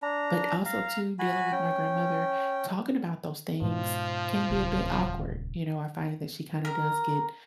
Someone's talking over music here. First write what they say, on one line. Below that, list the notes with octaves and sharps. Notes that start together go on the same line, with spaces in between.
but also, too, dealing with my grandmother, talking about those things can be a bit awkward, you know, I find that she kinda does get,
D4 A#5
F5 A#5
F#4 G#5 B5
C#4 G5
G#2 B2 F3 G#3
D#1 C#2
A#4